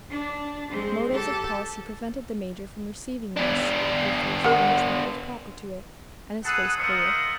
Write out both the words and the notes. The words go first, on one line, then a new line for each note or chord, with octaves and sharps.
Motives of policy prevented the Major from receiving this with the resentment that was proper to it, and his face cleared.
D4
G#3 C4
G4 A4
B3 D4
A#4 F#5
G#4 A4 B4 F#5 D#6
F4 A#4 C5 D#5 E5 F#5